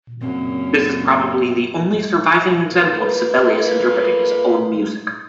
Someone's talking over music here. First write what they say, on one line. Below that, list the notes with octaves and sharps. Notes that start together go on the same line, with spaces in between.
This is probably the only surviving example of Sibelius interpreting his own music.
F#2 A#2 C#3 C4
A#3 F4 A4 B4